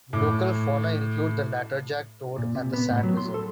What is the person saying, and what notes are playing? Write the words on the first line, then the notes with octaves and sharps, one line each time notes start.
Local fauna include the Natterjack toad and the Sand lizard.
A2 D6
A#2
C3
B3
A2
F#3
C6
A4